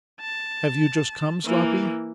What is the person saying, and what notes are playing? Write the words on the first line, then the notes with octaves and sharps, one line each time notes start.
'Have you just come, Sloppy?'
A5
E3 A#3